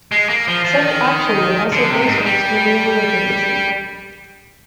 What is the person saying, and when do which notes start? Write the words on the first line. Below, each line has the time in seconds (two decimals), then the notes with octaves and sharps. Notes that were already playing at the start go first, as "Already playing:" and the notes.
Such action would also bolster its dwindling legitimacy.
0.12 G#3
0.29 A#3
0.48 F3
0.65 F3
0.82 D#3
1.72 D3
1.90 C3
2.07 G#2
2.25 G3